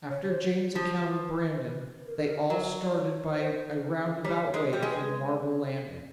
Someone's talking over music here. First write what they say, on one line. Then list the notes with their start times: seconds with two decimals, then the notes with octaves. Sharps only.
After Jane's account of Brandon, they all started by a roundabout way for the marble landing.
0.10 C#5
0.22 C#5
0.31 C5
0.75 F3
1.54 C5
1.62 B4
2.06 A#4
2.17 A4
2.28 A#4
2.50 F#3 A#4
2.83 D5
2.93 C#5
3.31 C#5
3.37 C5
4.24 G3 C#5
4.47 C#5
4.54 G#3
4.73 G3
4.82 G#3
4.90 B4